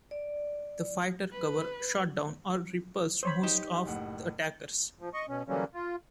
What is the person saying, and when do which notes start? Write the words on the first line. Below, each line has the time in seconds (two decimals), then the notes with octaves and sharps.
The fighter cover shot down or repulsed most of the attackers.
0.11 D5
1.32 B4
3.23 C5 C#5 B5
3.43 D#4 G4 E7
3.85 F#1 A2 F#5
5.00 F3
5.13 D#5 C#6
5.29 B2 C#4
5.48 D3 E3 F#3 G3 A#3 C#4
5.74 F4